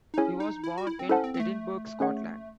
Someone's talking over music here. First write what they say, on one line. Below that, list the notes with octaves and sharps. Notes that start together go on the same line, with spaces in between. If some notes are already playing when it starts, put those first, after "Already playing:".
He was born in Edinburgh, Scotland.
D#4
C#4 E4 G#4 C#5 G#5
D#4
E4
F#4
E4
C4
C#4 E4 A4 C5 F#5 A5
C4
C4
A3
C#4 G#4 C#5 F#5